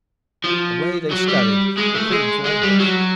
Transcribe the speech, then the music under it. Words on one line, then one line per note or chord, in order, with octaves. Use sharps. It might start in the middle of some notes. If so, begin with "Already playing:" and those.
Away they scurried, the queen foremost.
F3
F#3
G3
G#3
A3
G#3
G#3
G3
F#3